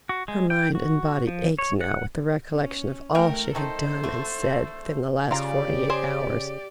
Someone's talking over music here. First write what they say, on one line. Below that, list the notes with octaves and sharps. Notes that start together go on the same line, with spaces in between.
Her mind and body ached now with the recollection of all she had done and said within the last forty-eight hours.
F#4
G#3
G5
F#4
F3
C#5
F#5
C#4
A3 A#4 E5 F5 G5
D#3 A3 D#4 A4 C5
D3 A3
C#3 F4 G4 D5 A#5
G#4 C5